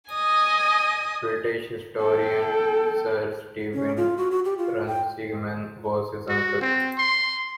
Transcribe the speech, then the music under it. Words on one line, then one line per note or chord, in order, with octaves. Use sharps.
British historian Sir Steven Runciman was his uncle.
D#5 G#5 D#6
A4 G5
C#4
F4
F#4
F#4
G4
F4
G5
F#4
C4
C6